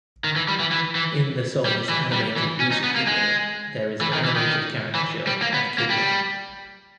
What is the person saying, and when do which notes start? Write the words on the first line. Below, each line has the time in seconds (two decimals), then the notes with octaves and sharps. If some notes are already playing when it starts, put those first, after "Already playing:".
In the song's animated music video, there is an animated caricature of Kidman.
0.24 D#3
0.36 E3
0.48 G3
0.60 E3
0.72 E3
0.95 E3
1.65 G3
1.89 E3
2.13 G3
2.36 E3
2.60 C#4
2.72 D#4
2.84 B3
2.96 A#3
3.07 G#3
4.01 E3
4.13 D#3
4.25 E3
4.36 D#3
4.95 E3
5.27 G3
5.42 A#3
5.54 B3
5.78 A#3
5.90 G3